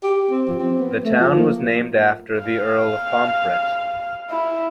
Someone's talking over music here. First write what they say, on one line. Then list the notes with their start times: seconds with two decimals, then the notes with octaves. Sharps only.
The town was named after the Earl of Pomfret.
0.03 G4
0.30 C4
0.48 F3
0.59 C4
0.79 B3
1.04 A3
1.20 F3
1.36 A#3
2.40 F5
4.30 E4